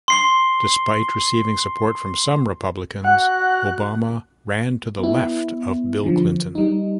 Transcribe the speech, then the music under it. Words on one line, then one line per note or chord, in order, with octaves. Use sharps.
Despite receiving support from some Republicans, Obama ran to the left of Bill Clinton.
C6 C7 G7
F#4 F#5 F#6
B3 E4
D3 F3
G3 D#4